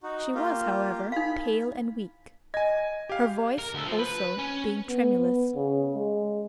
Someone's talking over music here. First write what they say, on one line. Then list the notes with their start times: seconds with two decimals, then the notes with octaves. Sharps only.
She was, however, pale and weak, her voice, also, being tremulous.
0.03 D#4 F#4
0.35 A#3 F4 G4
1.12 D#4 F5 B5
2.54 D#5 G#5 G#6
3.09 G4 F5
3.59 A#4
3.74 D2 A4
3.85 F3
3.99 B4
4.38 C#4
4.88 B3
5.18 B3
5.55 C#3
5.95 G#3